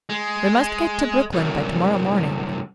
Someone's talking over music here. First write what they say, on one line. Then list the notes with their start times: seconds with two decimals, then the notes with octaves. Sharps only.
"We must get to Brooklyn by tomorrow morning."
0.09 G#3
1.33 C2 F#2